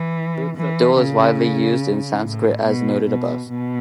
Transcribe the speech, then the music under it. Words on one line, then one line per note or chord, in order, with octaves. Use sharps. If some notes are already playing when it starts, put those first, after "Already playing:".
The dual is widely used in Sanskrit, as noted above.
Already playing: E3
E3
C#3
A2
B2
B2
B2